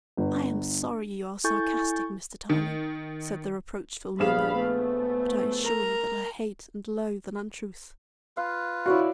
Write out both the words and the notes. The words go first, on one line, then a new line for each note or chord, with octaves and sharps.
"I am sorry you are sarcastic, Mr. Tarling," said the reproachful Milburgh, "but I assure you that I hate and loathe an untruth."
G1
E4 A4 G#5 C#6 G6 A6
D#3
A#1 G2 B3 G#4 F5 B5 E7
A3 B3
A#4 A#5
F4 B4 F5
E4 F#4 C#5 D5 F5